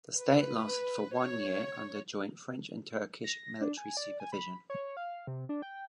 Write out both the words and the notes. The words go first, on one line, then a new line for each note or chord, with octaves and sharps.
The State lasted for one year under joint French and Turkish military supervision.
B4
C#5
A#6
D4
G#5
D5
G#5
B5
C#5
F5
C3
D4
G5